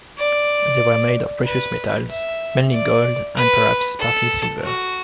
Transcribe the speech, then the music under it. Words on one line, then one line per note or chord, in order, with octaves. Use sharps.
They were made of precious metals, mainly gold and perhaps partly silver.
D5
B4
E5
D5
B4
A4
F#4